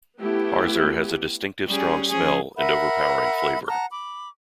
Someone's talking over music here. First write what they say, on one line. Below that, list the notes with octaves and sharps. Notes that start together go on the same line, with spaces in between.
Harzer has a distinctive strong smell and overpowering flavour.
A3 B3 E4 G4
G3 C#4 G#4
F3 C#4 G#4
A#4 E5 F#5 B5
F#5 A5 A#5
B5 D6